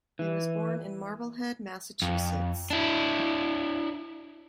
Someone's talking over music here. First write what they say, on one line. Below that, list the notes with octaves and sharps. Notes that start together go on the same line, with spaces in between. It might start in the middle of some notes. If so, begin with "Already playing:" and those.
He was born in Marblehead, Massachusetts.
E3
F2
D4 E4